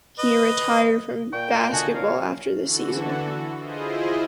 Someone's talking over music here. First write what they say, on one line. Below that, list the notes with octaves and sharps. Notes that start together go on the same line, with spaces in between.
He retired from basketball after the season.
B4 D#5
A#2 G5 C#6
D#5 A5 C6
D3 F#4 D#5 G#5 A5
A#4 C#5 F5
C#5
D3 E3 F#4 A4
E4 F4 G#4 C5 D#5